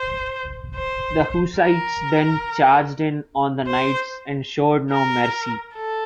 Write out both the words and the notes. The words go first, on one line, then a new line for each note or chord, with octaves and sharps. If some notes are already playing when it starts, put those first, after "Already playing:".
The Hussites then charged in on the knights and showed no mercy.
Already playing: C5
C5
A#4
C5
A#4
A4